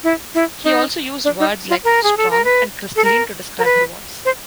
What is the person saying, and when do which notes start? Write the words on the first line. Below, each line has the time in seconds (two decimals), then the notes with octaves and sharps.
He also used words like "strong" and "crystalline" to describe her voice.
0.04 E4
0.35 E4
0.64 D#4
1.24 D4
1.40 D#4
1.70 F4
1.84 A#4
2.04 G#4
2.17 A4
2.31 A#4
2.44 B4
2.96 A4
3.05 A#4
3.59 A#4
3.65 B4
4.25 C5